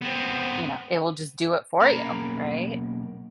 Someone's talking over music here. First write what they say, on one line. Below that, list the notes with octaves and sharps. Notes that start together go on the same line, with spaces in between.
you know, it will just do it for you, right?
B3 C4
B1 A#3 C#4 A#4 A#5 B5